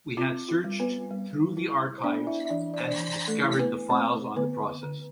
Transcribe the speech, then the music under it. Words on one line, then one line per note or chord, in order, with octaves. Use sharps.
We had searched through the archives and discovered the files on the process.
C4 F4
F4
G3
B3 B4
G3
E4
C5
B3 D4 D5
E4 E5
E5
E3 D4 D5
D5
C5
D4 D5
E3
A3 A4
E4
B3 B4
A3 C4 C5
D3 B3 B4
D3